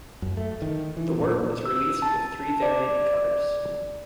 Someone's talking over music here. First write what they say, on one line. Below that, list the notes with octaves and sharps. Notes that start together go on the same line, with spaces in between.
The work was released with three variant covers.
F#2
A3
D#3
E3
A#2
E6
A5
D5